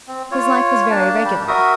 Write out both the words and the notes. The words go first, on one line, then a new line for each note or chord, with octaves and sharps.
His life was very regular.
C4
F4 C#5
A#3 D4 A5
G3 G4
F#4 A#4 E5 D#6